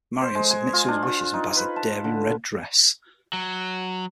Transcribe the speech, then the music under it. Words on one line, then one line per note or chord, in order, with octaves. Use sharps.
Marian submits to his wishes and buys a daring red dress.
C5
G#3
G#5
F4
D4
F4
D#4
B4
A5
D3
F#3